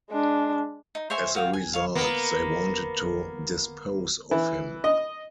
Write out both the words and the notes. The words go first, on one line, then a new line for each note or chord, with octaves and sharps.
As a result, they wanted to dispose of him.
G#3 D4
D#4
C5 C#5 E5 G#5
F#4 F5 G5
G#5
C#5 F5
A#3 B3
E3
D#5